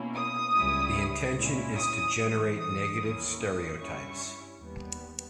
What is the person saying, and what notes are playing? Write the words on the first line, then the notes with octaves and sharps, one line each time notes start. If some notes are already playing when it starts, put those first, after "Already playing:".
The intention is to generate negative stereotypes.
Already playing: B2 A#3 C#4 E4
D#6
C#2 C#3 G3 C#4 E4
A#2 G#3 C#4 E4
D#6
G#2 E3 G#3
D#6
D#2 D#3 A#3 C#4 E4
D#6
G2 G3 C#4 E4 C#6
D#2 D#3 G3 B3